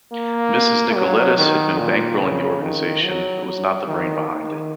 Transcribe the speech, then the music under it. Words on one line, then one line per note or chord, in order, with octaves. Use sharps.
Mrs Nicoletis had been bankrolling the organisation, but was not the brain behind it.
A#3
F#3
D#3
A#2
C#3
D#3
F#3
F#3
D#3
D#3